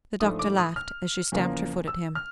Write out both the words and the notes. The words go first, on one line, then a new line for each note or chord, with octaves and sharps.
The Doctor laughed, as she stamped her foot at him.
G#2 F3 A3 D4 D#6
D6
D#6
F6
E2 C#3 F3 A#3
E6
F6